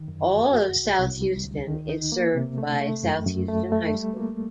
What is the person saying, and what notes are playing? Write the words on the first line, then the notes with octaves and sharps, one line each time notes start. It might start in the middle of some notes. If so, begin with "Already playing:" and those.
All of South Houston is served by South Houston High School.
Already playing: D#3
F#2
F#4
F#4
C2
C2
G3
D2
D#3
D#4
A#3
C3
A3
A3
F#2
F#2
A3
A3
G3
A#3